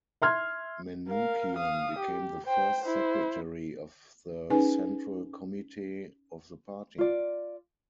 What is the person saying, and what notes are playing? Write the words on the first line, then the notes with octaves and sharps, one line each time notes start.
Manukian became the First Secretary of the Central Committee of the party.
E5 C6 F6 G#6
A#4 F5
F5 D#6
G4
C5 G5
E4 C5
C#4 D#4 G#4 B4 G#5
F4 D5